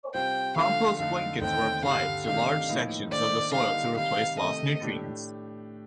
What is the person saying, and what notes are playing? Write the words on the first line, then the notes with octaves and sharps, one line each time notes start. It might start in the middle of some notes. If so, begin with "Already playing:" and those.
Compost blankets were applied to large sections of the soil to replace lost nutrients.
C3 G3 C4 F4 C5 G5
D3 F3 A3 D4 F5
F2 D3 A3 D#4 A4 F5
D#2 D3 A3 C4 D#4 G5
G2 D3 G3 F5
C3 D#3 A3 D4 G4 F5
A2 F3 A#3 D#4
D#3 A#3 D4 A4 C5 D5
D3 G3 A#3 D#4 F5
C3 D#3 G3 F5
C3 D#3 A3 D#5
A2 A3 D4 G4